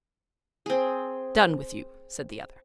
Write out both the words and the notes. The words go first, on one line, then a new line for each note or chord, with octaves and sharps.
"Done with you," said the other.
C4 G#4